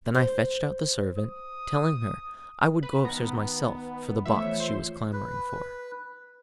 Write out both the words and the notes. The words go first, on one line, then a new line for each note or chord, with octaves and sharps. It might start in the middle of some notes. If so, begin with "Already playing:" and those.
Then I fetched out the servant, telling her I would go upstairs myself for the box she was clamouring for.
C5
D#6
B4
D#3 B3 A#5
E3 F3 A3 E5
C#5
C5
B4